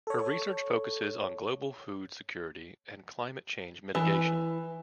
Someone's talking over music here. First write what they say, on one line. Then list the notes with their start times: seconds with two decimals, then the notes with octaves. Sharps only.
Her research focuses on global food security and climate change mitigation.
0.07 A4 C#5
3.95 E3